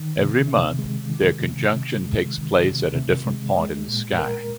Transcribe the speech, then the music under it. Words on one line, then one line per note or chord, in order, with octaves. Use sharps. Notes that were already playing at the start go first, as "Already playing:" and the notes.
Every month their conjunction takes place at a different point in the sky.
Already playing: D#3
C3
C3
G#3
D#3
C3
C3
G#3
D#3
C3
C3
G#3
G#3
A#2
A#4